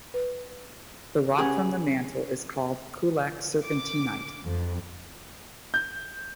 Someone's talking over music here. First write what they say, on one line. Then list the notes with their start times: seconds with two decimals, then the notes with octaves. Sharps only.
The rock from the mantle is called Coolac Serpentinite.
0.14 B4
1.37 C#4 G4 G#4 B4 F#5
3.66 D6
4.44 F2
5.74 G6